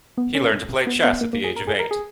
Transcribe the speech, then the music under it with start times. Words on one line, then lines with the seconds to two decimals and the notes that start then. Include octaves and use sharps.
He learned to play chess at the age of eight.
0.18 B3
0.35 C#4
0.87 B3
1.04 B3
1.21 A#3
1.33 A#3
1.44 G#4
1.56 A#4
1.67 G#4
1.79 A#4
1.91 G#4